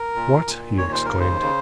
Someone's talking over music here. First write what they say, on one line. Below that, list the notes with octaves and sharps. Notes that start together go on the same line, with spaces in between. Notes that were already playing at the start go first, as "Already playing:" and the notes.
"What!" he exclaimed.
Already playing: A#4
A#2
A#2
D#2 C#5
C5
C#3 A#4
C5
C#3